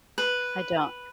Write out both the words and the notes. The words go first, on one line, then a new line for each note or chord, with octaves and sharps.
I don't.
B4